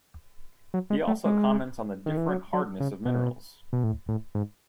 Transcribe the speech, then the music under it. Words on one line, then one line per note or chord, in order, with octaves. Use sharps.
He also comments on the different hardnesses of minerals.
F#3
G#3
A3
G#3
D#3
E3
F#3
F#3
C#3
B2
B2
A2
A2
G#2